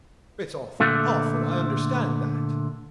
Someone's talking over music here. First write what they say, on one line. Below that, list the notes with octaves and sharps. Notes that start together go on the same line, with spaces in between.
It's awful, awful, I understand that!
A#2 D3 A3